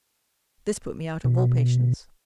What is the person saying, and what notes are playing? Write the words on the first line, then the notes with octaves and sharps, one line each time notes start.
This put me out of all patience.
B2